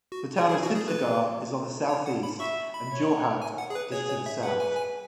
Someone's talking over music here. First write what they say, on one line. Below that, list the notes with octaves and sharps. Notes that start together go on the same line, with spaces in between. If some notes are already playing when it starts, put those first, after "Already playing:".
The town of Sibsagar is on the southeast and Jorhat is to the south.
F#4
F#4 G#4
E4
F#4
G#4
B4
C#5
F#5
B5
E5 C#6
B5
C#5
G#5
F#5
G#4
B4
G#4 C#5
C#5
E5
B4 F#5
G#5
G#5